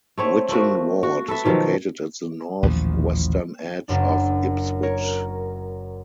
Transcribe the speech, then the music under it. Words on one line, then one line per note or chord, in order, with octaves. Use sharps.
Whitton Ward is located at the north western edge of Ipswich.
A3 C4 C#5
A3 A#3 C4 F#4
F#4
A4 B4 E5
B2 D#3 F3 F#3
A1 D#2 A#2 F3
F#1 F#2 D4
A#4 C#5